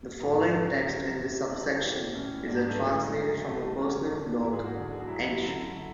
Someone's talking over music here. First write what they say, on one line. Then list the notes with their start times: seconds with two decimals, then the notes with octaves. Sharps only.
"The following text in this subsection is a translated from a personal Blog" "entry".
0.19 G#2 F#3 B3
0.52 E2 C#3 F#3
0.84 F#2 D3 F#3 C#4
1.18 F#2 C#3 E3
1.50 A2 F#3 D4
1.82 A2 E3
2.15 A2 E3 C#4
2.47 G#2 F#3 D4
2.59 B3
2.69 A3
2.80 A2 E3 G#3
3.12 F#2 C#3 F#3
3.44 A2 E3 A3
3.62 G#3
3.78 E2 D3 F#3 C#4
4.10 A2 E3 D4
4.42 G#2 E3 E4
4.53 G#4
4.64 F#4
4.75 E2 D3 F#3 D4
4.92 G#4
5.00 F#4
5.07 A2 F#3 E4
5.24 E4
5.40 F#2 D3 F#3
5.73 D3 F#3